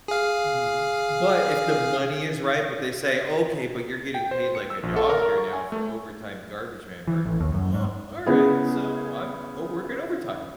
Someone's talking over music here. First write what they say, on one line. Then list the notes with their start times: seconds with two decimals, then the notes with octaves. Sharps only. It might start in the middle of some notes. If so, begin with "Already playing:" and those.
Mhm. But if the money is right, but they say, "Okay, but you're getting paid like a doctor now for overtime garbage man work." "Uh, alright, so, I'm I'm working overtime."
0.08 G#4 F5
4.14 G5
4.31 C5
4.55 C#7
4.70 E6
4.83 A#1
4.96 A4
5.09 A#4
5.22 A#4
5.38 C#6
5.53 G#5
5.72 A3
7.08 E3
7.25 A1
7.40 D#2
7.54 F#2
7.73 G#2
8.26 C#3 B3 E4 G#4